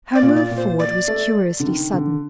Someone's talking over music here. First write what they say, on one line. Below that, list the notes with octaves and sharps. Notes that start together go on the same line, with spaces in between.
Her move forward was curiously sudden.
D5
A#2
D5
A#2
C5
D5
A3
D3
D#3
D3